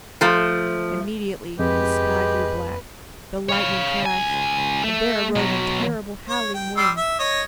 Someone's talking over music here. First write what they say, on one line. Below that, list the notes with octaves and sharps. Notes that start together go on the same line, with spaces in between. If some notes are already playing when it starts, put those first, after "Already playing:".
Immediately the sky grew black, the lightning crashed, and there arose a terrible, howling wind.
F3 A3
F2 G#3 G4 B4
C#5 F5
C#2 G#5
A3
B2 F#3
C#5
G5
G3 C6 E6
E5
C#5 D#5